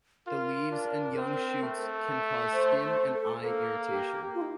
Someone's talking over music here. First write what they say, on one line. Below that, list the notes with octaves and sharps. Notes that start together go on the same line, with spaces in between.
The leaves and young shoots can cause skin and eye irritation.
F4 A#4
D4
C4
A3
C5
C5
A4
A#3 A4
G4
F4
D#4